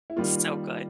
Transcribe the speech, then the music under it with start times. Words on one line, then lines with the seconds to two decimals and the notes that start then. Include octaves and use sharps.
So good.
0.10 E4
0.16 D#3 G3 A#3 F4